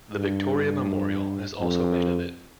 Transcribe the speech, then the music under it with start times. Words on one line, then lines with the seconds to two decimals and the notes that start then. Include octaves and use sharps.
The Victoria Memorial is also made of it.
0.17 G2
1.61 F2